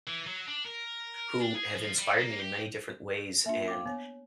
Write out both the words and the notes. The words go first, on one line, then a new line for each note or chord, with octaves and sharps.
who have inspired me in many different ways, and,
E3
F#3
D4
A#4
D4
G#4
F3
G3
A#3
G4
G#4
A#3 D4 F4 E5
F5 G5 D6
B3 C#5